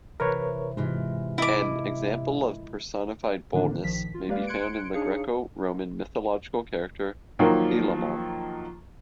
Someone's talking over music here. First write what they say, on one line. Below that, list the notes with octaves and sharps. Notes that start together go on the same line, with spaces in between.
An example of personified boldness may be found in the Greco-Roman mythological character Philemon.
C3 E3 A#4 B4 C#5
G#2 C3 E3 G#3 F4
A#3 E4 A4 D#5 D6
A2 D3 D#3 F3 A#3 D4
A#1 D#3 F3 B6
F4
G#3 A#3 G4 B4 D5 F5
C6 F#6 G#6 C#7 D7
D4 D#4 G#4 C#5 F5 C#7
D#3 F3 F#3 A#3